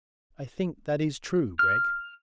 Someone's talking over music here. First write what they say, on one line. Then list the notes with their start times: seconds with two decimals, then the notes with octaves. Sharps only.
"I think that is true, Gregg!"
1.59 F6